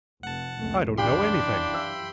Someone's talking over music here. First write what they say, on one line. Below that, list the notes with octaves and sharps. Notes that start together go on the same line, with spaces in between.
I don't know anything.
F1 F#5 A5
F1 C#2 A3
F#2 E3 D4 G4 F5 G5 B5 C6
E5